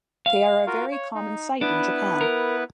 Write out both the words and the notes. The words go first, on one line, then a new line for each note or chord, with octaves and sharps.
They are a very common sight in Japan.
F5
F4 F#4 A#4
C#5
D#4
B3 D4 E4 B4
A#4